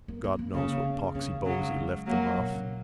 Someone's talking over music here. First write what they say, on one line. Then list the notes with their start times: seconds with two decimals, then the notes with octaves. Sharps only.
God knows what poxy bowsy left them off.
0.08 A#3
0.24 A#3
0.39 A#3
0.54 C#3 A#3
0.84 C#4
1.15 C#3 A#3
1.31 A#3
1.45 C#3 F#3 C#4
1.61 G#3
1.76 G#3
2.07 F#3 A#3
2.37 A#2
2.52 C#3